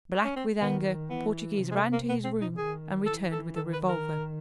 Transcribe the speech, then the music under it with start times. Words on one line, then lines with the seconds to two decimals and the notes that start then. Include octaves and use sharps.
Black with anger, Portoghese ran to his room and returned with a revolver.
0.24 C#4
0.36 C4
0.61 D#3 B3
1.10 E3 B3
1.59 C3
1.71 G#3
1.76 A3
1.92 A#3
2.08 B2 B3
2.24 C4
2.41 D#4
2.57 D#3 G#4
3.06 E3 A4
3.32 A4
3.56 D#3 A4
3.73 B4
3.89 A#4